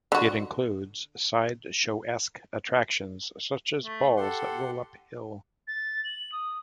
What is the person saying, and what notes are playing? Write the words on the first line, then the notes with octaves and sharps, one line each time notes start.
It includes side show-esque attractions such as balls that roll up hill.
D3 F#4
A3
G4 A4 F#5 C6
A6
F#7
D#6